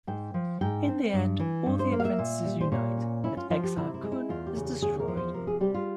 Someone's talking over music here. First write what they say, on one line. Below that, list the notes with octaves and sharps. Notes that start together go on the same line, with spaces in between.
In the end, all the apprentices unite and Exar Kun is destroyed.
G#2 G5
F3
G#2 G5
C4
G2
E3
G2
C5
A#3
F5
E5
A#2
G3
C5
A#2 C#5
C#4
C#4 E4
F4
F3 F4
G4
C3 E4
E4
G#3
E4
E2 F4
G4
C#3
G4
E2 G#4
A#4
F3
C5
C3 A#4
G#4
G3 G4
F4